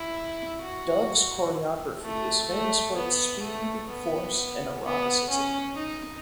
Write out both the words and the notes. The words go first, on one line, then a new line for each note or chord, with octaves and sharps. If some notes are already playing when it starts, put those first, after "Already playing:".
Dove's choreography is famous for its speed, force and eroticism.
Already playing: E4
F#4
A3
A3
B3
A3
B3
B3
C#4
D#4